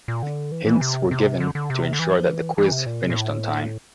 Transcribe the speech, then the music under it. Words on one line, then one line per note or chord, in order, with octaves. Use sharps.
Hints were given to ensure that the quiz finished on time.
A#2
D3
E3
E3
C3
C3
D3
D3
C3
D3
E3
F3
E3
E3
C3
A#2
C3
A#2
A2